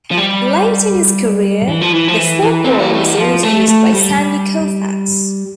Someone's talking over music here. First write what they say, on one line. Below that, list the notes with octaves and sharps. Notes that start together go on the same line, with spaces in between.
Late in his career, the forkball was also used by Sandy Koufax.
F3
G3
E3
F3
E3
F3
E3
E3
C4
A#3
A3
G3
F3
A3
A3
G3